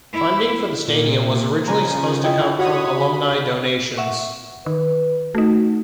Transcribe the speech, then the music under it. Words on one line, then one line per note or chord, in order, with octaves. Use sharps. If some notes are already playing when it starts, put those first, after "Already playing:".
Funding for the stadium was originally supposed to come from alumni donations.
E4
A#2
C#3 F3 G#5 A#5
E4 F4 D#5 G5
F#4 G4 C#5 F#5 B5 D#6
B5
E5 F#5 C#6
D#3 B4
A3 D#4 F#4